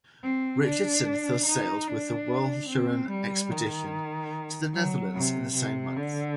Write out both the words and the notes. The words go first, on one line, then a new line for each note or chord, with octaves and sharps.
Richardson thus sailed with the Walcheren Expedition to the Netherlands in the same month.
C4
D4
D#4
D4
C4
G3
D#3
F#3
C3
C3
D3